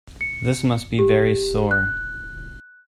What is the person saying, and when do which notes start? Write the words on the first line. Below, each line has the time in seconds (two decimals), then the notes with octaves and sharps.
This must be very sore.
0.21 C#7
0.99 G4
1.71 F#6